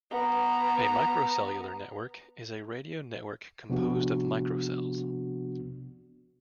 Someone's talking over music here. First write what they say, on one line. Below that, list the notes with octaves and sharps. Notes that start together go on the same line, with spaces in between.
A microcellular network is a radio network composed of microcells.
B3 A#5
C3 F3 B3 D4 F#4